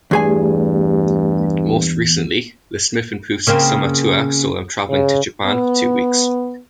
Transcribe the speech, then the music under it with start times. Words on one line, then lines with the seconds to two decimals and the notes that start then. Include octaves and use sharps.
Most recently, the Smiffenpoofs' summer tour saw them traveling to Japan for two weeks.
0.11 E2 G2 A3 G4 G#4 G#5
3.47 C#3 A#3 C4
4.90 C#3
5.45 B3